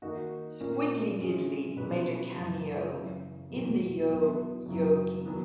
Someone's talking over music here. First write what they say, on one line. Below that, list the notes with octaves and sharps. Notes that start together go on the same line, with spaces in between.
Squiddly Diddly made a cameo in the Yo Yogi!
D#3 A#3 D#4 F#4
A#2 A#3 C#4
E3 G#3 C#4 G#4
B2 F#3 C#4 G#4 B4
F#2 C#3 E3
F#2 C#3 E3
E2 B2 F#3 B3
F#3 B3 E4
F#2 C#3 F#3
D#3 F#3 B3